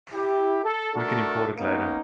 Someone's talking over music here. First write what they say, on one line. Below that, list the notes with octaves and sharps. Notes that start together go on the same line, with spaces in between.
We can import it later.
E4 G4
A4
A3 D4 F#4 A4 A#4
A#3 B3 C#4 D#4